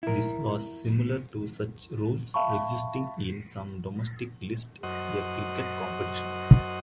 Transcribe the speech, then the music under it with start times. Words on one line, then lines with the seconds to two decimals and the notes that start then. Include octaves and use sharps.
This was similar to such rules existing in some domestic List A cricket competitions.
0.03 E4 A#4
2.34 E5 F5 A5 B5 C#6
4.83 F#2 C5 D#5 F#5